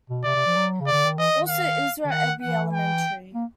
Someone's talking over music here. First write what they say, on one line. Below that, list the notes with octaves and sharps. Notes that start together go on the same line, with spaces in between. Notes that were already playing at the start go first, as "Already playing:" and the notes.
Also Ezra Eby Elementary.
B2
C3 D5
C3
F3
F#3
C#3
D5
D3
D#3
E3 D#5
D#3
F5
D3
D#3 F#5
E3 F#5
G5
A#3